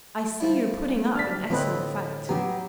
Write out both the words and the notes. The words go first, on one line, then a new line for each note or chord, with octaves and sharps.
"I see you're putting up an excellent fight."
F3 G3 E4
D4 F6 A6 B6
A2 D3 F3 C4 B4 D#5
F#3 B3 G4 A#5